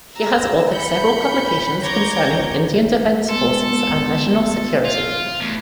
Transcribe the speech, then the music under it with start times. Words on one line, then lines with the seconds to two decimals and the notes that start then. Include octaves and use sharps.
He has authored several publications concerning Indian defence forces and national security.
0.15 A#5 E6
0.72 B5 G6 C#7
1.81 C#5 A#5 D6 G6 G#6 A#6
3.29 G#3 B3 A4 C6
4.85 F4
5.41 E2 A3